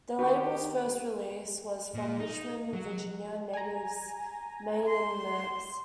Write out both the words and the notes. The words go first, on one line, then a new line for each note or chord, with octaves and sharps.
The label's first release was from Richmond, Virginia natives Main and Merc.
D#3 C4 D4 F#4 G4 A#4 G6
A#2
D#4
F#3
G#5 A#5
C6